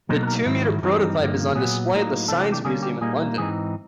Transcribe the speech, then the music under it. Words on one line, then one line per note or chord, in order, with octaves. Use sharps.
The two-meter prototype is on display at the Science Museum in London.
B2 F#3 A#3 D#4 C5
B4
A#4
G#2 D#3 F#3 E4
G2 E3 G3 C4 D#4
G2 D3 F3 A#3
A#2 F#3 B3 G#4
A2 F#3 A#3 D#4
C3 E3 A3 D4 A4
G4
G4
D3 G3 A#3 C#4 G#4
G4
A#2 G3 A#3 D#4 G#4
G#2 E3 G3 C4 D#4 G#4